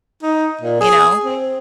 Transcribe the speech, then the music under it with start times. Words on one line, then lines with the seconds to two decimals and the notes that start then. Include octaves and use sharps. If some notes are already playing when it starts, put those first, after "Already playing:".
You know?
0.23 D#4
0.61 A#2
0.81 G#4
1.24 C4